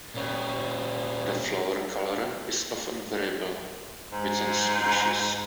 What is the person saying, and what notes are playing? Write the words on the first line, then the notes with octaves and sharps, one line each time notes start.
The flower colour is often variable within species.
A#2 C#4
G#2